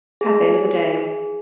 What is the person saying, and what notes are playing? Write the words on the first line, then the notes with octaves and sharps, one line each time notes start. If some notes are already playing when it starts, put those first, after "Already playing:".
At the end of the day.
G#4